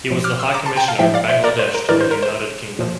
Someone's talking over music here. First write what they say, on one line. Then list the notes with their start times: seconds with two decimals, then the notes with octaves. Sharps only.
He was the High Commissioner of Bangladesh to the United Kingdom.
0.10 A2 F3
0.24 D6 F6
0.39 C6 E6
0.54 A#5 D6
0.66 A5 C6
0.76 G5 A#5
0.88 F5 A5
0.99 A2 F3 E5 G5
1.14 D5 F5
1.29 C5 E5
1.44 A#4 D5
1.59 C5
1.74 A#4
1.89 A2 E3 A#4 D5
2.01 C5
2.11 A#4
2.23 C5
2.79 A#2 F3